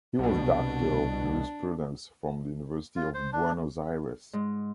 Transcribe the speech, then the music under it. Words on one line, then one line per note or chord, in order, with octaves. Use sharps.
He was doctor of jurisprudence from the University of Buenos Aires.
C2 B2 D4
F4
C5
D4
G#2